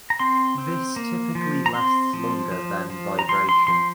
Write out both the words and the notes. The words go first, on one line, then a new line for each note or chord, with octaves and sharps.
This typically lasts longer than vibration.
A#5
C4 C6
C4
A#3
F3
A#5
C4 C6
F3
F3
F3
A#5
F3 C6
C6
F3 C6